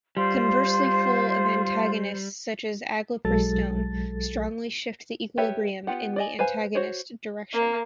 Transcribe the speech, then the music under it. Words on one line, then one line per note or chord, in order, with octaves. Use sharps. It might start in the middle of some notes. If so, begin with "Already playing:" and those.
Conversely full antagonists such as aglepristone strongly shift the equilibrium in the antagonist direction.
G3 F4 C5
B1 F#3 G#3 A4 A6
G4 A4 B4 C#5 E5
B3 F4 G4 F#5
D5 D#5 G#5
B4 C5 F5 G#5
F#4 C5 C#5
A#3